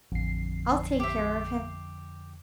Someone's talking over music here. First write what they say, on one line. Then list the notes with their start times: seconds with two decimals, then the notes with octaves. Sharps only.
'I'll take care of him.
0.12 A1 F2 D3 C7
1.00 G4 E5